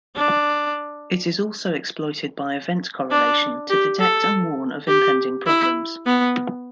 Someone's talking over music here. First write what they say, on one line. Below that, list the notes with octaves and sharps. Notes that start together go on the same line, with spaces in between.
It is also exploited by event correlation to detect and warn of impending problems.
D4
D4
G4
A4
G4
E4
B3